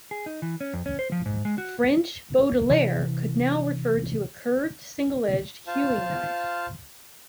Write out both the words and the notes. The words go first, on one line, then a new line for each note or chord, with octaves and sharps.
French "baudelaire" could now refer to a curved, single-edged hewing knife.
G#4
D#4
E3
C#4
F2
C#4
C5
F3
G#2
G#3
F#4
C3 E3
F4 C5 F5 A5